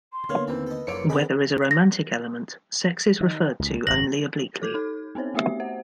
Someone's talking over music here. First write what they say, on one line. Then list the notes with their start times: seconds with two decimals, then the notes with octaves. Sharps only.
Where there is a romantic element, sex is referred to only obliquely.
0.12 C6
0.29 D3 A#3 B3 C#5 F5 F6
0.47 D#2 E3 C4 B4
0.66 A4 D#5
0.87 F#1 D3 F3 A#3 C#5 C#7 D7
1.09 D#3 C4 G#4 B4 D#5 F#5 B5
1.71 A#6
3.21 D#3
3.60 C#2
3.87 G#1 F#2 B2 A#6 F#7
4.62 A4 D6 G6 G#6
4.74 D#4 A4
5.15 B3 C4 D#4 C5 C#5
5.34 A3 B3 F#4 G4 E5
5.60 C5 F#5